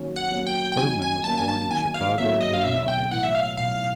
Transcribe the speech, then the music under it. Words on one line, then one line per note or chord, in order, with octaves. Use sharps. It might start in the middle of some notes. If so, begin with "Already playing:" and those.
Berman was born in Chicago, Illinois.
Already playing: D#3 F#3 A#3 C#4
F#5
F#3 A#3 C#4
G5
G5
D#3 G#5
G#5
F#3 A#3 C#4 A5
G#5
A5
D#3 G#5
F5
F#3 A#3 C#4 E5
D#5
F5
B1 E5
G5
A2 E3 A3 F#5
E5
F5
B1 F5